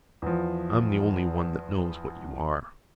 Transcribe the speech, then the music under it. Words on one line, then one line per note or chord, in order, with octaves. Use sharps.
I'm the only one that knows what you are.
E2 F3